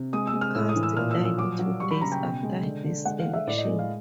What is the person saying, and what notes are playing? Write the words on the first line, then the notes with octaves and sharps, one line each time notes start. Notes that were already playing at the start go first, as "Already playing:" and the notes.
Cust died two days after this election.
Already playing: C3
G#3 D#6
E6
G#3
F6
A2 E6
D#6
E3
E6
A#2 F6
E6
F3
E6
F#3 D6
F#3
G3 C#6
B5
C#3 A#5
G5
B2
G#3
D3
D3
G#3 F#5
F5
G#3
E5
A2 D5
D#5
G#3
F5